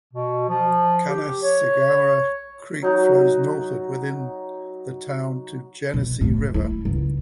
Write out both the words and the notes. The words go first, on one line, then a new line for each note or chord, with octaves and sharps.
Canaseraga Creek flows northward within the town to the Genesee River.
B2
F3
G4
C#5
F#3 D#4 F#4
B2
A2
E4
C#2